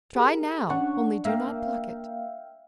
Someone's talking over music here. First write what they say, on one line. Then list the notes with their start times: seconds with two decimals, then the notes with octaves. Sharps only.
Try now--only do not pluck it.
0.15 G4 G#4 A#4
0.70 C#4 D4 F#5 C#6
1.25 A#3 E5 F5 G5